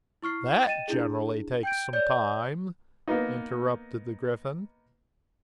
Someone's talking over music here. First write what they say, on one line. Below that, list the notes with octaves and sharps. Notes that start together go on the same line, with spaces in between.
'THAT generally takes some time,' interrupted the Gryphon.
E4 C#6 F6 C7
D#5 G5 A6 D#7 E7
D4 E4 G#4
G5 G6 D7
C#5 D5 G6
A#3 B3 D#4